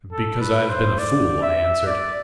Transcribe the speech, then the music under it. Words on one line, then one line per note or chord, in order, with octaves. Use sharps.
"Because I have been a fool," I answered.
A4
B4
C5
D5
E5
D5